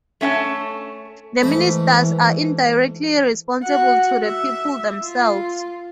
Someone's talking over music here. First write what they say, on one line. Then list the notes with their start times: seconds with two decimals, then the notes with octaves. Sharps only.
The ministers are indirectly responsible to the people themselves.
0.21 A3 C#4 F5 A5
1.42 G#2 E3 A3 B5
3.63 F#4 F#5
4.25 E5
5.02 F4